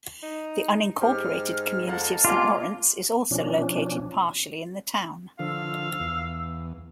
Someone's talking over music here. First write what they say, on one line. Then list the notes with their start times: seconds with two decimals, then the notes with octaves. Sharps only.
The unincorporated community of Saint Lawrence is also located partially in the town.
0.23 D#4
1.01 G#2 G4 F6
1.87 F2 A#4 F5 F#5 A5
2.25 D3 G#3 A#3 F4 G4 D6
3.31 B2 F3 C#4 D4
5.39 D3 F3 F5 E6
6.00 E2